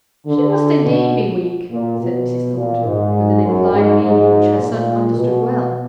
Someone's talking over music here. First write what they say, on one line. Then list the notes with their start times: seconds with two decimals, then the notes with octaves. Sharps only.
'She must indeed be weak,' said Mrs. Thornton, with an implied meaning which her son understood well.
0.26 D3
0.83 B2
1.70 A#2
1.99 B2
2.56 A#2
2.85 G#2
3.42 F#2
3.71 G#2
4.01 G#2
4.58 A#2
5.15 B2